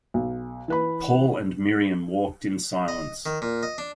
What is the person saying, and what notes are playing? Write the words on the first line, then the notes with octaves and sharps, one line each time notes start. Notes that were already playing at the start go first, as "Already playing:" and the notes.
Paul and Miriam walked in silence.
B1
E3 B4 B5
D#5
D#3
A#2
D#5
D4